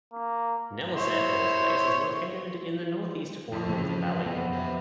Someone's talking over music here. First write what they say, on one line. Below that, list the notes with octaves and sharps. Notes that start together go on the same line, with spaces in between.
Nellis Air Force Base is located in the northeast corner of the valley.
A#3
E4 C5 C#5
F2
C#3 E3 A#3
B3
C5 E5